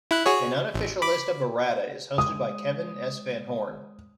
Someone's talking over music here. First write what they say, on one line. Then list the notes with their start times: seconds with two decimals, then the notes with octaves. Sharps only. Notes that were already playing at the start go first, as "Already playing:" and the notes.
An unofficial list of errata is hosted by Kevin S. Van Horn.
0.11 E4 F#6
0.26 F#4 G#4 C#5
0.74 A1
1.02 B5 D6
2.18 G#3 D#6